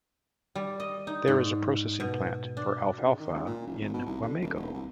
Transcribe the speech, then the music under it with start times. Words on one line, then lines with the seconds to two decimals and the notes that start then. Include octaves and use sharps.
There is a processing plant for alfalfa in Wamego.
0.55 G3
0.80 D#5
1.07 D#4
1.27 G#2
2.00 B2
2.57 D4
3.05 C#3
3.19 D#3
3.34 C#2
3.47 A#2
3.67 F#1
3.81 G#1
3.94 B2
4.06 C2
4.22 D3
4.42 D#1
4.55 E1
4.74 C2